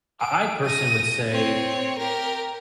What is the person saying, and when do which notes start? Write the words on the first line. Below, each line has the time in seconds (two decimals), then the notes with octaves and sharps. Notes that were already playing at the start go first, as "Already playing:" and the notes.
I I personally would say
0.21 D7
0.63 A#6 D#7
1.31 C4 C#5
1.97 G4 A#4